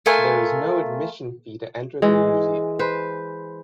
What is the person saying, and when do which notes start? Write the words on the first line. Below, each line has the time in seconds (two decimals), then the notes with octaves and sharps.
There is no admission fee to enter the museum.
0.06 A3 F4 A#4 G#5
2.02 E3 G#3
2.79 B4 C5